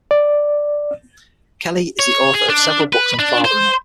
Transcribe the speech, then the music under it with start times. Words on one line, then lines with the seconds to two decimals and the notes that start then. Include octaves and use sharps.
Kelly is the author of several books on fathering.
0.11 D5
1.99 C#5
2.34 G#4
2.50 D4
2.93 B4
3.19 D4
3.45 C5